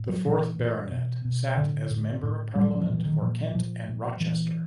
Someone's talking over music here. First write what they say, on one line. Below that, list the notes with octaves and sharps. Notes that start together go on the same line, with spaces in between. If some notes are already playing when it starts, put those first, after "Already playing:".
The fourth Baronet sat as Member of Parliament for Kent and Rochester.
Already playing: A2
F#3
A#2 E3
A#2
B2
B2
A2 D3
A2
A2
A2 G3
F#3
F3
A#2 E3
D#3
A#2 F3
A#2 F3
A#2
A#2 E3